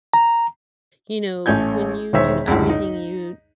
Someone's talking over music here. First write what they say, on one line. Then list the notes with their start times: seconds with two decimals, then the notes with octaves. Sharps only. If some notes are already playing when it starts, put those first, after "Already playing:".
you know, when you do everything you
0.13 A#5
1.46 A1 A3 C#4 G6 G#6
2.13 E1 D#3 C5 C#5 E5 B6
2.48 C#2 F#2 A2 D3
2.69 D#4